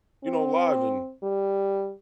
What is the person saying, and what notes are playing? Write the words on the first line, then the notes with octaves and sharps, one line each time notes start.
you know, live and
C4
G3